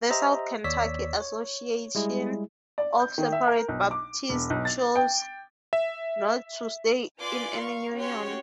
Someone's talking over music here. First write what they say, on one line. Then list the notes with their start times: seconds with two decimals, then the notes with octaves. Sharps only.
The South Kentucky Association of Separate Baptists choose not to stay in any union.
0.10 G4 C5 D#5 E5 A#5
0.64 D#2 C#5 D5 E6 B6
1.20 C#5
1.95 G3 G#3 E4 G#4
2.78 D5
3.00 G6
3.18 D#3
3.32 E5
3.47 A#4
3.69 B1
3.91 D6
4.29 E1
4.50 B1
4.65 A6
4.95 G5
5.73 E5
7.20 F4 B4 D5 G#5 C6 D6
7.59 F5 C#6
7.94 C#4 F#4 G4 C#5 C6